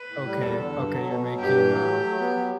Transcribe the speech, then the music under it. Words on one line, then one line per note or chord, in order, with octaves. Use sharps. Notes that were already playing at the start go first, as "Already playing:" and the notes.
okay, okay, you're making a
Already playing: B4
A2
G3
E2 A4
D3
G2
F#3
B2
F#3
G2 G4
E3
F#3
A3
F#3
B3
F#3